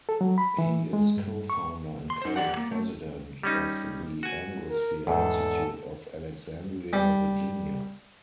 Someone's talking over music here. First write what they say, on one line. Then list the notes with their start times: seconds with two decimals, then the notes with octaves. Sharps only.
He is co-founder and current President of the Anglosphere Institute of Alexandria, Virginia.
0.09 A4
0.21 F#3
0.38 B5
0.58 E3
0.93 G#3
1.17 G2
1.50 C#6
2.10 C6
2.22 D#4 C5
2.36 E2 G4 D5 F#5
2.57 A#3
2.72 A3
3.43 G3 C#4 D#4
4.23 F#4 G#5
4.70 A#4
5.07 E2 G#2 A4
6.93 G3